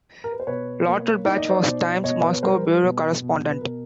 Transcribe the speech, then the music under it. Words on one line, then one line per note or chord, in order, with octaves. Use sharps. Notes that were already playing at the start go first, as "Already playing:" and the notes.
Lauterbach was "Time's" Moscow bureau correspondent.
A#4
B4
C5
B2 B4 C#5
A#3
D#4 D5
D#5
C5 D5
B2
B2 C#5 D#5
B4 C#5
B4
G3 A#4 C5
B4
B2
B2
B4
B2 A#4